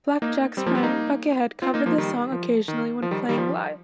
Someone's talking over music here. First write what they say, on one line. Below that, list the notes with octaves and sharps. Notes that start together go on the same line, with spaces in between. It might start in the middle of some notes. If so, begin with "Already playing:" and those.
Jack Black's friend Buckethead covered the song occasionally when playing live.
A#3 D#4
G3 C4
F3 A#3
G3 C4
A#3 D#4
C4 F4
A#3 D#4
F3 A#3
D#3 G3
F3
D#3
F3
D#3 G3
D#3 G3
F3